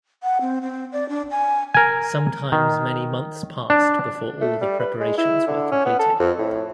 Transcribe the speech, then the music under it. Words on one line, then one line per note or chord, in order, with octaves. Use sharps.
Sometimes many months passed before all the preparations were completed.
F#5
C4
C4
D5
D4
G#5
A#4 G#5
D#3
D4
A3
G3
B4
G#3
E4
D3
C#4
B3
A4
F2
A2